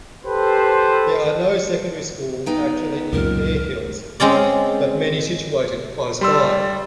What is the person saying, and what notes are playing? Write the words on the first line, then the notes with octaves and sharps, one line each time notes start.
There are no secondary schools actually in Harehills but many situated close by.
G4 A4 B4 C5
B3 D#4 G5
C#2 F#2 A#2 A#4
G#3 C4 C#4 D5
G3 D5 C6 E6